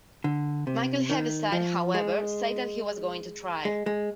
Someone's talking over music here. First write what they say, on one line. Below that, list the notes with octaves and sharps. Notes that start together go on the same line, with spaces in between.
Michael Heaviside, however, said that he was going to try.
D3
C3
D#3
F3
G#3
G#3
G#3